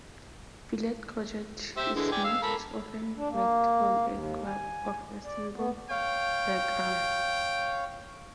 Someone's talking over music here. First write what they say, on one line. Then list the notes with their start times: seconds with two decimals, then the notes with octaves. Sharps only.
Filet crochet is most often worked from a graph or a symbol diagram.
1.77 G4 C5 E5
1.95 D3 E3 G#3
2.12 D5 G5 G#5
2.24 F5 E6
2.43 A4 A#4 B5
3.15 D4
3.29 A#3
4.07 D#2
4.46 G#5
5.24 D5
5.55 B3
5.90 C#5 F5 G5